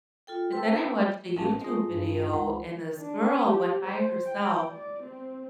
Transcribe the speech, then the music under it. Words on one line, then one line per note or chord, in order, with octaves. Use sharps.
but then I watched a YouTube video, and this girl went by herself,
F4 A4 G5
C4 A4 B4
A1 C#4 A#4 F5 A5
G#3 F4 D#5
G2
C#2 F#5
D4
G4
C5
G5
D5
C4